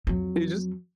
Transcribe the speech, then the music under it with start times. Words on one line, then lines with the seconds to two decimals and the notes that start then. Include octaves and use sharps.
You just
0.07 F2 F#3